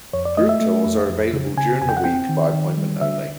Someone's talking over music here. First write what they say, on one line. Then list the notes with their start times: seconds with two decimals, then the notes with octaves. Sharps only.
Group tours are available during the week by appointment only.
0.13 F2 C#5
0.25 D5
0.37 A3 D#5
0.49 E5
0.61 A3
0.85 F2
1.09 F2
1.33 C#3
1.57 C#3 G#5
1.81 F2 G#5
1.89 G5
1.97 F#5
2.04 C4 G5
2.29 D#3
2.53 D#3
2.77 G3
3.01 D3 E5